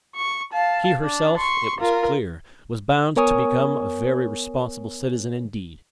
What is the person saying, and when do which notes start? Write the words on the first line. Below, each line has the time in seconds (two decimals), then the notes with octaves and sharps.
She herself, it was clear, was bound to become a very responsible citizen indeed.
0.15 C#6
0.53 F5 A5
1.02 D4
1.36 C6 C#6
1.80 F4 A#4
3.16 B3 A#4 C#5 G#5 C#6 D#6